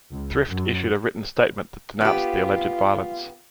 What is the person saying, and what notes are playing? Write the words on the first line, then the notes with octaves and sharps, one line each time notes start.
Thrift issued a written statement that denounced the alleged violence.
C#2
F#2
B3 F4 G4